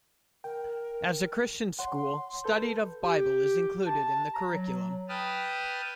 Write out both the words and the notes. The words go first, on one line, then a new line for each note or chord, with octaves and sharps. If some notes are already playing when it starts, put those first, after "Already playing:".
As a Christian school, studied of bible is included in the curriculum.
A#4 G5
C#5 F#5 C6
A4 B4 G6
G4
A5
A#5
F#3
B4 G5 A5 D#6 F6